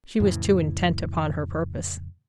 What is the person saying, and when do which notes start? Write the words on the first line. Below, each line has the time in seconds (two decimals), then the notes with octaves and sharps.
She was too intent upon her purpose.
0.20 F2 A2 C#3 E3